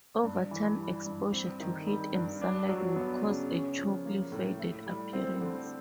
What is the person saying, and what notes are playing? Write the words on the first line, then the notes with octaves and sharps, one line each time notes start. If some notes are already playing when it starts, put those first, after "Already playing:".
Over time exposure to heat and sunlight would cause a chalky faded appearance.
G2
E3
G3
G2
C4
D#3
G3
G2
D4
F#3
B3
C#3
C#4
F3
A#3
A2
E4
G3
C4
D3